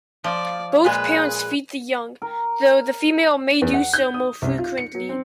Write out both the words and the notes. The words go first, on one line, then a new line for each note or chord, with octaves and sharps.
Both parents feed the young, though the female may do so more frequently.
F3 D5
A#2 G#3 B4
A#4
E2
F#5
G6
D#6
C2
F4
C#7
F#3
C4